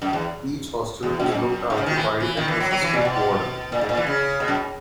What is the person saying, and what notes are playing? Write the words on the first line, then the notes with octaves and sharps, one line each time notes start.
Each hostel is looked after by an assistant warden.
F#2
E2
E2
F#2
G#2
F#2
G#2
C#3
D#3
E3
E3
D#3
E3
F#3
F#3
E3
A#2
B2
A#2
G#2
A#2
E3
C#3
B2
F#2